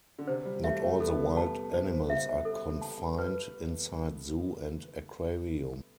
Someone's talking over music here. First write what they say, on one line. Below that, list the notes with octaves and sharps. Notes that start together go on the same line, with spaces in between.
Not all the wild animals are confined inside Zoo and Aquarium.
D3
C3 C5
G3
A3 E5
A3
B3 A4
A5
C5
E5
A4
A5
B4